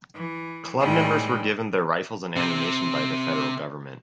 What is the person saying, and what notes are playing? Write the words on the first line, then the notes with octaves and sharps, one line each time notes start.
Club members were given their rifles and ammunition by the federal government.
E3
A2 D#3 E3 G3 G#3
C3 C4